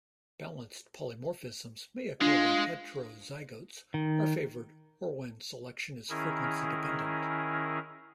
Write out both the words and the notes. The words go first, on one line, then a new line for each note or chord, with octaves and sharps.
Balanced polymorphisms may occur when heterozygotes are favored or when selection is frequency dependent.
G#3 D4 F4
D#3
D#3 C#4 E4 G#4 A#4